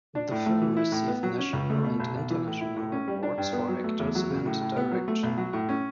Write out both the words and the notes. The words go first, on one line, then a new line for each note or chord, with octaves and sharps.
The film received national and international awards for actors and direction.
D4
A2
A3
E3
E4
A2
B3
F#3
C#4
C#2
A3
B2
B1
B1
E3
A2
E4
A2
C#4
G3
D4
G2
B3
F#3
A3
E2
F#3
C#3
A2
A2
B3
F#3
A3
B1
F#3
A2
C#4